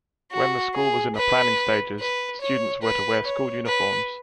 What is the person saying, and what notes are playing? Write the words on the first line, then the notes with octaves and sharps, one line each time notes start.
When the school was in the planning stages, students were to wear school uniforms.
F#4
G#4
B4
B4
C#5
B4
C#5
B4